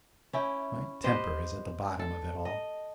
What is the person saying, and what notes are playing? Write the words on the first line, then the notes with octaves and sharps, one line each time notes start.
My temper is at the bottom of it all.
C#4 E4 G5
G4 B4 C5 D#5
A4
D#5